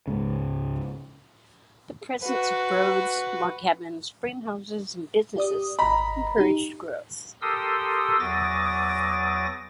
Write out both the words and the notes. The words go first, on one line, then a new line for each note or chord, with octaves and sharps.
The presence of roads, log cabins, frame houses, and businesses encouraged growth.
C#2 G#2 C#3
F#4 B4
G4 D5 D#6
G#1 D#5 A#5 B5
D#4 G4
G4 A4 A#4 C6 D#6 E6
E2 F#3 D6 D#6 A6 A#6